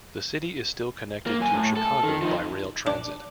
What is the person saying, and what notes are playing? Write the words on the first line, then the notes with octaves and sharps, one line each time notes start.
The city is still connected to Chicago by rail transit.
A#3
F#2 G#5
A2
A4
D#3
F3 D#4
D4